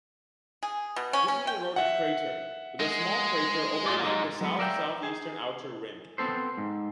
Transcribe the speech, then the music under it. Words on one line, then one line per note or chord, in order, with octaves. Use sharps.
This is an eroded crater with a small crater overlying the south-southeastern outer rim.
G#4
B2
C#4
C#4
G5
E5 F#5
G#3
F4 D5
G#3 D#4
F#3 G#3 B3
A#4 D5 E5 F5 G5
G#4
B3 C4 A4 C5
G#2